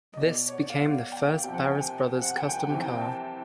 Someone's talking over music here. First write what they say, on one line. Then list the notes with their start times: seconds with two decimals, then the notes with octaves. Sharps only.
This became the first Barris Brothers custom car.
0.14 D#5
0.17 B2 D5
0.49 C#5
0.60 D5
0.70 F5
0.81 F#5
1.12 G5
1.44 C3 F3 G5
1.54 F#5
1.64 G5
1.75 G#5
2.22 F#5
2.37 G5
2.49 G#5
2.59 G5
2.70 C3 E3 G#5
2.81 G5
3.01 A5